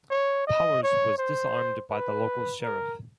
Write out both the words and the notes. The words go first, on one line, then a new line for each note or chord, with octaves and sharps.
Powers was disarmed by the local sheriff.
C#5
D#5
C#5
C5
B4
A#4